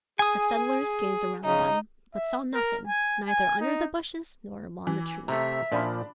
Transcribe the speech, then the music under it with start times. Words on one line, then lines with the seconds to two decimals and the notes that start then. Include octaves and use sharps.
The settlers gazed around them, but saw nothing, neither under the bushes nor among the trees.
0.19 G#4 G#5 D#6
1.45 C#3 D#4
2.14 E5
2.54 A#4
2.87 G#5
3.28 G#5
3.60 D#4
4.87 E3
5.28 C3 A3 E5 A#5
5.72 A#2 F3 D4 B5